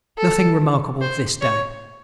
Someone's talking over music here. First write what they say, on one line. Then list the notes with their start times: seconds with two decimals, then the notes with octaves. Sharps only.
Nothing remarkable this day.
0.18 A4
1.01 C5
1.41 C#5